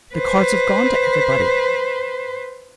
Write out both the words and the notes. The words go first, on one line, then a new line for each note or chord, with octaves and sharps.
The cards have gone to everybody.
B4 C5